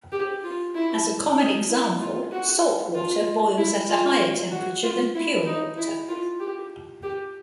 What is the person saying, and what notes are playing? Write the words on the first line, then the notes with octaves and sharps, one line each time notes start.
As a common example, salt water boils at a higher temperature than pure water.
G4
F4
E4
D#4
E4
F4
F#4
F4
E4
F4
F#4
F4
E4
D#4
E4
F4
G4
G4